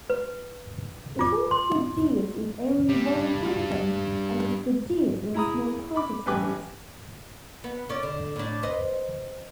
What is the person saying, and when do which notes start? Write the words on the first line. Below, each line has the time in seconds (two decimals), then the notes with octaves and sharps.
It was produced in only one printing, and was produced in small quantities.
0.10 B4
1.19 F4 D6
1.51 C6
2.89 G2 G3
5.34 E4 G#4 A#5 B5 D#6
5.96 B5 D6
6.26 A1 G4 B4 G5 G#5 D6
7.64 B3
7.89 C#4 D5
8.03 D3
8.36 A2 D4
8.63 B4 C5 D#5